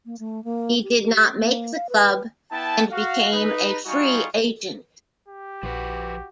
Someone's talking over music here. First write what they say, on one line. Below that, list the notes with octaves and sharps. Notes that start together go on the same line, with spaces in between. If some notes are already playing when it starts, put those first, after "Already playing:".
He did not make the club and became a free agent.
A#3
A3
A#3
G4
G4
A#3
F5
B4
B3 E4 G5 A5
F#4 F5
D#4 B4
G3 D#4 F4 F#4 G#5 C#6
G4
A#1 F3 F#4 B4